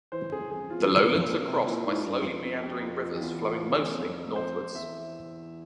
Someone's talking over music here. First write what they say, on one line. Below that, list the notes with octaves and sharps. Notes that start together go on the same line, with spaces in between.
The lowlands are crossed by slowly meandering rivers flowing mostly northwards.
E3 C5
C#3 G#4
F2 G#4
E2 F4
F2 F4
F2
A#2
C#3
C3
A#2 E4
G#2
F4
G2
G2 F4
F2
F4
G4
F4
F4
F2 G4
E2 F4
F4
G#4
F2
C5
E2 E5